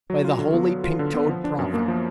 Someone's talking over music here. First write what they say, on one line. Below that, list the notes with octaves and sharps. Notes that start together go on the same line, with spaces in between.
By the Holy Pink-toed Prophet!
F#3
F4
D3
B3
F#3
F4
D3
B3
F3
D4
F#2
A#3
F3